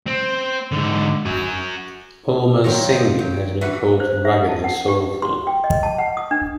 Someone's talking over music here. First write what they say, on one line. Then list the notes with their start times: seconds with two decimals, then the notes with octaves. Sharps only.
Ulmer's singing has been called "raggedly soulful".
0.06 C4
0.72 G#2 D3
1.26 F#4 G#5
2.64 D#3 F#3 F4 A#4 C#5 G5
3.19 F#3 G5
3.61 E3 F#4 B4 F#5
4.00 C5
4.25 E5
4.49 A5
4.64 F#5
4.88 G4
5.22 C6
5.47 G5
5.64 D#5
5.83 A5
5.98 F#5
6.17 D#6
6.31 D4